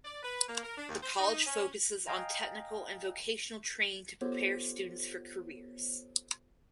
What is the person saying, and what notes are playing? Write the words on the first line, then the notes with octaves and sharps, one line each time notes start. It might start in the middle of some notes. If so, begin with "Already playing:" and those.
The college focuses on technical and vocational training to prepare students for careers.
D5
B4
A#3
A#4
D4
D#2
C5
D#4
C#4
D#5 F5 G5 G#5 A#5
B3 F4 G4 A4 C5 C#5